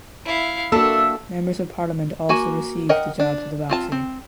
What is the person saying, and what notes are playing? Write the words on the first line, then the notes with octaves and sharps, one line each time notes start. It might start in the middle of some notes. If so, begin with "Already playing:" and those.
Members of Parliament also received the jabs of the vaccine.
E4 F5
A#3 D4 F#4 A4 E5
A#3 F#4 G#5
A#4 D#5 F#5 G5
D4
C4 F4 A5
C4